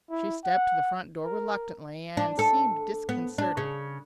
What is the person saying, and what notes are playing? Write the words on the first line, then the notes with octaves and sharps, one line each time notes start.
She stepped to the front door reluctantly, and seemed disconcerted.
E4
F#5
A#4
D4
A4
B3
D4
C#3